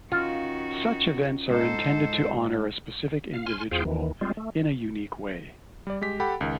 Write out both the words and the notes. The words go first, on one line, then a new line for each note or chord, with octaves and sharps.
Such events are intended to honor a specific individual in a unique way.
D#3 C#4 F4 F#4
G#2 D#4 A4 C5
F5
G#5 C6 F6
E2 F4 G#4 C5 F5 G5
D#2 D#3 E3
G3 G#3 C4 F4
A3
G3 D5
G#3 G4 B6
G4 A4 F#5 G5 B5
C#2 D#3